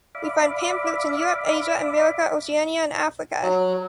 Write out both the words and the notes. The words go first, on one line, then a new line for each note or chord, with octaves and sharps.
We find Pan flutes in Europe, Asia, America, Oceania and Africa.
D5 E5 F5 B5 D6
F#3